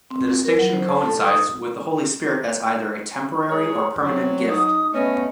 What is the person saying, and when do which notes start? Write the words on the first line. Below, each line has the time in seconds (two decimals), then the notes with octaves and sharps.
The distinction coincides with the Holy Spirit as either a temporary or permanent gift.
0.10 C4
0.28 F#4
0.45 A#4
0.59 F#3
0.73 C5
0.89 A5
1.06 A4
1.21 D#6
3.47 G#2 G#4 C#5 A#5
4.03 F#3 C4 C#5
4.48 D#4 D#6
4.93 A3 B3 C#4 D#5